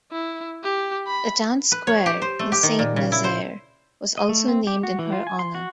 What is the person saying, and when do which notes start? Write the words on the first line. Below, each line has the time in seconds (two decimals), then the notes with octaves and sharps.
The town square in Saint Nazaire was also named in her honor.
0.12 E4
0.64 G4
1.07 B5
1.72 B4
1.87 C#5
2.06 G4
2.22 C5
2.39 A3
2.52 G4
2.63 D#3
2.79 A#2
2.96 C#3
3.12 E4
3.24 C5
4.18 D#5
4.29 A3
4.48 C4
4.67 G4
4.83 F#4
4.99 E3
5.12 F4
5.27 G#5
5.39 C6
5.55 F#4